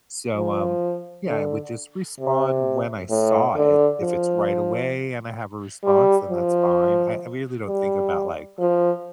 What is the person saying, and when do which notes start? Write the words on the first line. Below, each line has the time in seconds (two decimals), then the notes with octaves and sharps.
So, um, yeah, I would just respond when I saw it. If it's right away and I have a response, then that's fine. I I really don't think about like,
0.36 F3
1.27 D3
2.20 C3
3.10 A2
3.56 D3
4.01 F3
5.84 G3
6.30 F3
7.67 G3
8.59 F3